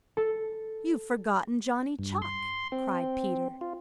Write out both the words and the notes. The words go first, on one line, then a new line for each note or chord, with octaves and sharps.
"You've forgotten Johnny Chuck," cried Peter.
A4
G2
C6
C4
F4